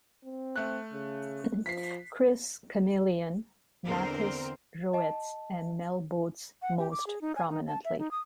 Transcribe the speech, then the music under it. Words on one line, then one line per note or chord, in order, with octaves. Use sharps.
Chris Chameleon, Mathys Roets and Mel Botes most prominently.
C4
A3 F#6
C#3
F3 B6 C7
E2 D3 C4 A#4 C5
D#5 A5
F#5
G4
D6
G#4
D#4
G#5
D#4
A5
E5
D#4
D#6